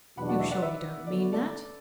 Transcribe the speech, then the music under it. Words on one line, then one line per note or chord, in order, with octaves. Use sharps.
"You surely don't mean that?"
E2 B2 F#3 D4 F#4 F#5 B5
D5 F#5
B4 E5
D5 F#5
B4 E5
D3 B3 F#4 D5
B4
A4 D5